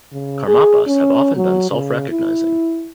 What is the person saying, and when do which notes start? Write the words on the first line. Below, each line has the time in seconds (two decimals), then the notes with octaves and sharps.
Karmapas have often been self-recognizing.
0.13 C#3
0.47 G#4
0.87 C#4
1.36 F#3
1.71 C#3
2.10 E4